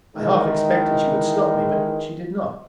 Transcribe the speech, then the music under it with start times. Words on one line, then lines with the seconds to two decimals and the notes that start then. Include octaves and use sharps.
I half expected she would stop me, but she did not.
0.15 D#3 E3 G#3